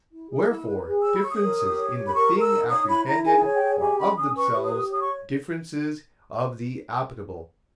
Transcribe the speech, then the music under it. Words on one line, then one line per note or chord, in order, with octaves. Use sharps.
Wherefore differences in the thing apprehended are of themselves differences of the appetible.
E4
G#4
D#6
E4 E6
B4
G#4
C#5 E6
B5
C#5 C#6
D#6
A#4
G4
C#5
G4
B5
A#4 C#6
A#4
E6
D#4
C#5 D#6
E4 B5
E4 A#5
G#4 G#5
C#5
G5
G#4
G4 G#5
C#4 B5
C#4 D#6
B4 C#6
G4
D#6
G4
C#5 D#6
C#6